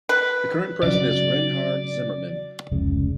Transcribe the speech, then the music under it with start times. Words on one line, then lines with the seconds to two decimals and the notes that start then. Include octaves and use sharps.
The current President is Reinhard Zimmermann.
0.09 B4
0.83 C#3 F#3 D5
2.72 F1 C#2 C#3